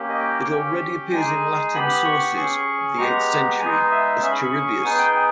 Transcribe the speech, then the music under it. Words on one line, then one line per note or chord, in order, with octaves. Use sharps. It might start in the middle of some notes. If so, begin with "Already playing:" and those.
It already appears in Latin sources of the eighth century as Charivius.
Already playing: A#3 C#4 G4
D#5
G5
C#4 G4
G#3 D#4 G#4 G#5
B3 G4 B5
C#6
C#4 G#4 C#6
G#3 B3 G4 A#5
G#3 B3 D#4 G#4 G#5
E5
C#4 G#4 E5
B5
C#6
C#6
B3 D#4 G#4 G#5
G5